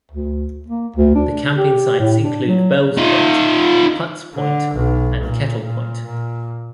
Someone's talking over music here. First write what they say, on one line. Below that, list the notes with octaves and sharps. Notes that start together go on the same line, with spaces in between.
The camping sites include Bells Point, Putts Point and Kettle Point.
D2
A#3
D2
D4
G4
A2
D4
F#3
D#4 F4
D3
B1
A#2
A#2
A#2